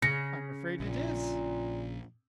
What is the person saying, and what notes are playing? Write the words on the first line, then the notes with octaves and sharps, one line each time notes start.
"I'm afraid it is."
C#3 A#6 C#7
A#1 A#2